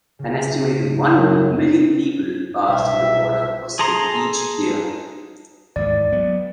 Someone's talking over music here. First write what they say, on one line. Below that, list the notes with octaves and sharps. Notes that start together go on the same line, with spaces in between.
An estimated one million people pass through the border crossing each year.
C#2 C#3
F#2
C2 B2 E5
G#4 A4 A#5 C6
D#2 G#2 E3 D5
F#3 B3